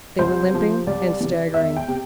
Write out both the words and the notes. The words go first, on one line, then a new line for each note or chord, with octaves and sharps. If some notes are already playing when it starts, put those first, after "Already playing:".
They were limping and staggering.
C2 C5
C3 F3
C2 D5
C3 E3
E2 E5
G5
C3